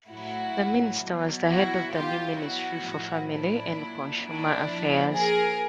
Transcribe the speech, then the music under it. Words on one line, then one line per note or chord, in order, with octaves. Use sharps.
The minister was the head of the new Ministry for Family and Consumer Affairs.
A2 F#3 E4 F#4
B2 F#3
E4 F#4
B2 F#3 F4 G4
E4 F#4
A2 F3
D4 E4
A#2 F#3
D4 E4
A#2 F3
G#4 A#4